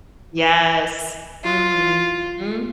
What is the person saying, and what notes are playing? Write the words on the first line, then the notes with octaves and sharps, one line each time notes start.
Yes. Mm-mm hmm.
F4